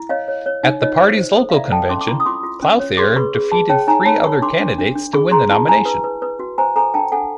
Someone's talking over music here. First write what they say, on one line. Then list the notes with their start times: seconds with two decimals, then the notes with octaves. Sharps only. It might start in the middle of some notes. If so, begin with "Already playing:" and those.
At the party's local convention, Clouthier defeated three other candidates to win the nomination.
Already playing: E4
0.09 C#5 D#5 F5
0.28 C#5
0.46 C#5
0.63 D#4
0.81 F4 C#5 D#5
1.01 C5
1.18 C5
1.35 A4
1.50 F5
1.53 E4 D5 E5
1.71 A4 G5 A5
1.89 C#4 C6 D6
2.01 D6
2.07 E4 B5 C#6
2.20 D#6
2.26 F4 C6 D6
2.43 F4
2.63 C#4
2.80 C#5
2.97 G#4 C6 D6
3.16 B4 B5 C#6
3.35 G#4
3.52 G#4 A5 B5
3.69 C#5 G5 A5
3.87 D#4 G#5 A#5
4.06 C#5 A5 B5
4.24 A#4 B5 C#6
4.42 D4 C6 D6
4.60 D4
4.78 D4
4.96 D4
5.13 G#4 B5 C#6
5.31 G#4 A#5 C6
5.50 E4 A5 B5
5.67 E4 G#5 A#5
5.85 B4
6.04 B4
6.22 B4
6.39 F#4
6.58 C5 G#5 A#5
6.76 A4 G#5 A#5
6.94 D4 G5 A5
7.12 A4 F#5 G#5